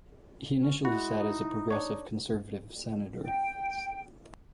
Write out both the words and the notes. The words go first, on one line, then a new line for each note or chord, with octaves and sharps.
He initially sat as a Progressive Conservative Senator.
C#4
G#3 E4 F#4
D#4
D4 D#4 C#5
G5